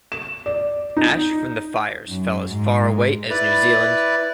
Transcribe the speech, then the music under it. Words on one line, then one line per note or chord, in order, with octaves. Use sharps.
Ash from the fires fell as far away as New Zealand.
E7
D5
D#4
F#2
G#2
E4 B4 D5